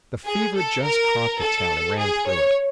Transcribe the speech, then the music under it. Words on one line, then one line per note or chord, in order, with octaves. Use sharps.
The fever just caught the town and ran through it!
G#4
A4
A#4
A4
G#4
C#5